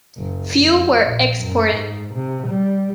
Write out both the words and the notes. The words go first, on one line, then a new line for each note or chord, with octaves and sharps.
Few were exported.
F#1
F2
A#1
F#2
G#2
C3
G3